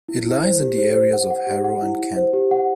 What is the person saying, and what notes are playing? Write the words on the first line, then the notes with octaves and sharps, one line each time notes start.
It lies in the areas of Harrow and Kenton.
E4
E4
C5
G4
C5
C5
F#5
F#5
G4
F#5
E4
E4
C5
G4
F#5